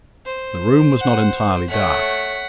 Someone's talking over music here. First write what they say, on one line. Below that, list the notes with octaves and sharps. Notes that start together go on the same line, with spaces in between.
The room was not entirely dark.
C5
F#5
A3 C#5 F#5 B6